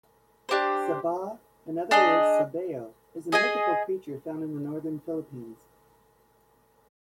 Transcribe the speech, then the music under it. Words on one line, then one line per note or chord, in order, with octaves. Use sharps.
Sabaw, in other words Sah-Bao, is a mythical creature found in the Northern Philippines.
D4 G4 C5
D4 G#4 D#5
G#4 D#5 G#5